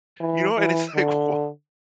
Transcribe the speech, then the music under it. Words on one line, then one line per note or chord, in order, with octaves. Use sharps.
You know, and it's like, wha
E3
E3
D3